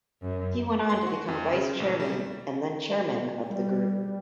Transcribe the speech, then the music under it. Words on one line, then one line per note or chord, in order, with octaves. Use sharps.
He went on to become vice-chairman and then chairman of the group.
F#2
C6
F#4
F2
C#3
A#1
G3
G3